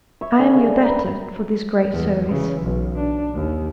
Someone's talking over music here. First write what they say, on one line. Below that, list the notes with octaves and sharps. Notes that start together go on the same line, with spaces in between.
'I am your debtor for this great service.'
C#5 E5
D3 G#5
C#3 D4
A#4 B4
E2
C#3 E3
B1
D4
D#2